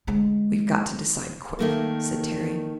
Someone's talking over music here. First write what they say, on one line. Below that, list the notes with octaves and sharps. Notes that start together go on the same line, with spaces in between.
"We've got to decide quick," said Terry.
D3 G#3
D#3 A3 A#3